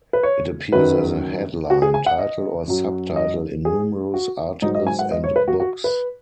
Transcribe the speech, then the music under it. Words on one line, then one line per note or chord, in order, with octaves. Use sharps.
It appears as a headline, title or sub-title in numerous articles and books.
B4
C#5
F#2 D#3 F#3 B4
F#4
G#4
G#5
F#5
D#5
F#2 F#3
D#5
G#4
F#4
G#2 F#3 D#4
D#5
G#5
F#5
D#5
C#5
B4
F#4
F#4
B4